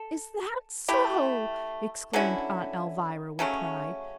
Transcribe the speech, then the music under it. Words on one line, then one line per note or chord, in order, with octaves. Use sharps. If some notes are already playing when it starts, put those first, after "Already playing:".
"Is that so!" exclaimed Aunt Alvirah, with pride.
Already playing: A4
A3 E4 G4
D3 F#3 C#4 E4
C#3 F#3 A3 C#4